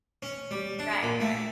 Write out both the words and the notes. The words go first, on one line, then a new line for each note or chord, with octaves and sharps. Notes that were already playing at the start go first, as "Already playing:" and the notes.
Right, right.
C#4
G3
D4
A#2
A3